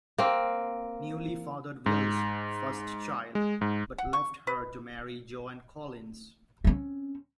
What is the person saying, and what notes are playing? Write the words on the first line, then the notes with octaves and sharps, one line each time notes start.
Newley fathered Wills' first child, but left her to marry Joan Collins.
A#3 C4
G#2
G#3
G#2
F#5
C#6
B4
C4 C#4